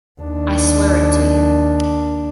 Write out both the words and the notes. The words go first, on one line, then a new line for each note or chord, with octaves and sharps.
I swear it to you.
D#2 D4